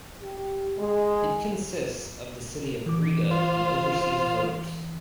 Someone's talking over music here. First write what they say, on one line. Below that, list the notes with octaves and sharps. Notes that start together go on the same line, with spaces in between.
It consists of the city of Riga and overseas voters.
G4
G#3
E3 D6
F4 C5